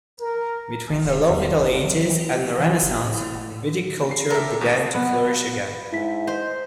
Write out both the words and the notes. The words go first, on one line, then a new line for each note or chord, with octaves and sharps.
Between the Low Middle Ages and the Renaissance, viticulture began to flourish again.
A#4
D1
E2
G#1
F#3
E3
G4
E3
G1
A2
C7
G4 A4 A#4 E5
D#2 B2
B3
G#2 E4 E5 B6
C5 D#5